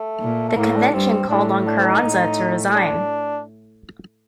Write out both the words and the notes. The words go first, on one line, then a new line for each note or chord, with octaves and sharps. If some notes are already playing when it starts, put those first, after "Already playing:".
The Convention called on Carranza to resign.
Already playing: A3
A#2
A3
A2 A#3
D4
G2 C4
A2 D4
D4
C4
D4
D#4
A2
D4